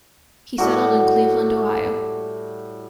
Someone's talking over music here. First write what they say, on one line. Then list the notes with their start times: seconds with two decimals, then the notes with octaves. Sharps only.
He settled in Cleveland, Ohio.
0.58 A2 G3 F#4